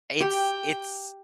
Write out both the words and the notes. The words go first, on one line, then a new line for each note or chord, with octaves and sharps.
It's it's
G4 G5